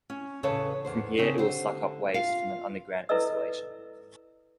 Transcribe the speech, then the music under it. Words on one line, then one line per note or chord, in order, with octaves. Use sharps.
From here it will suck up waste from an underground installation.
C#4
E2 C#3 A4 B4 C#5 A5
E2 D3 C5
C#3 C4 D4 D#4
D3 G4 C5
F4 F5
E4 A4 B4 D5 D#5 E6